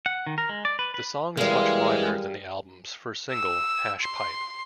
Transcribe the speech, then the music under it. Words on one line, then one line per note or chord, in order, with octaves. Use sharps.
The song is much lighter than the album's first single, "Hash Pipe".
F#5
D#3
A#4
G#3
D5
B4
B4
E3 G3 G#3 G#4 A#4 F5
E6
C6